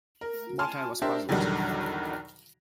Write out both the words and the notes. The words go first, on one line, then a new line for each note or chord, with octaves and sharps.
But I was puzzled.
A#4
G#5 A5 C6 F6
D4 G4 A#4 C5 E5
B1 E2 D3 D#3 F#3 G3